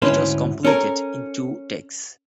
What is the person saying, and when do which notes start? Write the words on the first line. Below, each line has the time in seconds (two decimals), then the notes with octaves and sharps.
It was completed in two takes.
0.02 D2 G#2 C#4 E4 B4 C5
0.65 C#4 A4 A#4